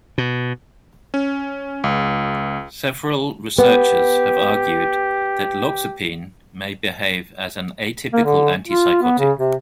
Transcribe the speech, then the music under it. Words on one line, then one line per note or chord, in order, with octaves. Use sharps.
Several researchers have argued that loxapine may behave as an atypical antipsychotic.
B2
C#4
C#2
B3 G4
A#3
D3
F4
B3
C#3
C3